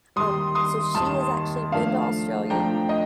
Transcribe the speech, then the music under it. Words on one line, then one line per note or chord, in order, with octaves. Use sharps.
Um, so she has actually been to Australia,
D#2 D#3 G3 C6 D#6
C6 D#6
D#2 D#3 G3 A5 C6
F3 A3 D4 F5 A5
F3 A3 D4 G5 A#5
D#5 G5